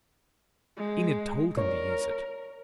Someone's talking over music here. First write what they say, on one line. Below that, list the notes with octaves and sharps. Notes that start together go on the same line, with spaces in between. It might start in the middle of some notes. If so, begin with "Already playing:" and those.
"Enid told him to use it."
G#3
A#4 C#5